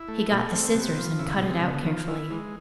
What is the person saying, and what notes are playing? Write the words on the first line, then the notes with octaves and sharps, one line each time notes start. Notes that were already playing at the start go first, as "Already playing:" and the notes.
He got the scissors and cut it out carefully.
Already playing: E4
A3
B2 A3
C4
C3 B3
F3
C#3 E4
B2 G#3
C3
C#3 B3
D3
D#3 F3
E3 E4
E3 G#3